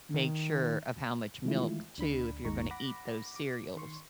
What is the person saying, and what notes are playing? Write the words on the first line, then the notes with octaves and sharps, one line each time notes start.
make sure of how much milk, too, if you're gonna eat those cereals
D#3
D#3 E3 G#3 A3 E4 F4
D2 D4 B5
G#1 D#2 G#3 D#4 A#5 C#6
F#5 B5 D6 A#6
D6
D#3 C6 C#6